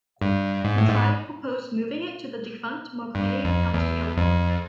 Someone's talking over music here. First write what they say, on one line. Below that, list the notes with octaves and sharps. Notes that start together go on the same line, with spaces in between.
The tribe proposed moving it to the defunct Marquette County Airport.
G2
G#2
A2
G#2
G2
F2
E2
F2